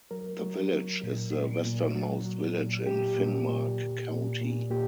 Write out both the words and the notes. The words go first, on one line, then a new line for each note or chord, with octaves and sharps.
The village is the westernmost village in Finnmark county.
F#3 A#4
F#3
F#3
A#2
A#2
A#2
F#3
F#3
A#2
A#2 G4
A#2
A#2
A#2
A#2
A#2
A#2 G4